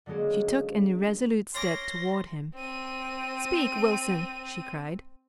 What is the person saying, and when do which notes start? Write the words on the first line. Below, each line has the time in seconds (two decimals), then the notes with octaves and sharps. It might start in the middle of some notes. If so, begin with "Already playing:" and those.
She took an irresolute step toward him. "Speak, Wilson!" she cried.
0.06 D3 F#3 G#3 A#3 C#4
1.55 C#4 A#5 C6 D6 A#6
2.55 C4 D#7